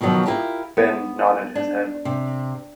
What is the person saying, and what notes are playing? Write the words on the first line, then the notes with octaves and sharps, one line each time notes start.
Ben nodded his head.
B2 D#3 F3 F#3 B3
E4 F4 G4 A#4
B3
D4
C3